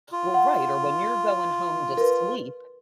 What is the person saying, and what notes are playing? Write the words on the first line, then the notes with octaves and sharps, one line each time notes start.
Well, right, or when you're going home to sleep,
F4
F#5
A#4 B4